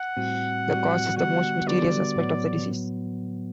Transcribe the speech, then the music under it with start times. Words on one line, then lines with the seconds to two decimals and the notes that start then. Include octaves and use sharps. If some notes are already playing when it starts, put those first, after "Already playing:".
The cause is the most mysterious aspect of the disease.
Already playing: F#5
0.17 A2 G3 C4 F#4
0.67 A2 G3 C4 F#4
1.16 D3 G3 B3 F#4 F#5
1.67 D3 G3 B3 F#4 D5
2.16 A2 F#3 B3